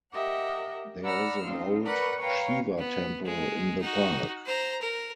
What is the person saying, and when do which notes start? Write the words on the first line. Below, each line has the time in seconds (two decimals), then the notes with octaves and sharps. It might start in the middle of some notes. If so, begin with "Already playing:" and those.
There is an old Shiva temple in the park.
0.12 G4 A#4 D#5 E5 F#5
1.02 D5 F#5 A#5 B5 E6 F6
1.42 C4 C#4 D#4 F4
1.82 A#4 B4 D5 F#5 B5 C#6
2.19 B4 C#5 F5 G5 A#5
2.78 B3
3.25 G#3
3.82 D#4 F#4
4.46 C5 A#5
4.81 A#4